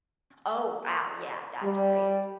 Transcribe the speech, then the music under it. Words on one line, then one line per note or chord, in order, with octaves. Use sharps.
Oh, wow, yeah, that's great.
G3